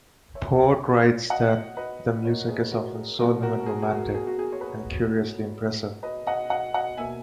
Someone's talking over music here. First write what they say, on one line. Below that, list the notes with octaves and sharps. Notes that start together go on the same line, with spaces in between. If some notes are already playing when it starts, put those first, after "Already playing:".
Porte writes that the music is often solemn and romantic, and curiously impressive.
C#5 E5
D#5 F#5
B4 D#5
A#4 C#5
G#4 B4
B4
F#4 A#4
G#4
B2 F#3 A#3 F#4 A#4
F#4 A#4
G#4
G#4
F#4
G#4
F#4
G#4
C#5
G#4 B4
B4 D#5
D#5 F#5
D#5 F#5
D#5 F#5
B2 A#3 E5 G#5